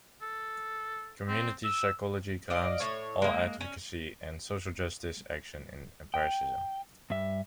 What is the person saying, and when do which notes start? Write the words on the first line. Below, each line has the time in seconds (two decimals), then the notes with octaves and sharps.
Community psychology grounds all advocacy and social justice action in empiricism.
0.22 A4
1.28 C4
1.64 E6
2.50 D5 D#5 F5
2.80 A2 C#5
3.22 G#3 A#3
3.61 C#4
6.14 G5
7.10 G2 G3 E5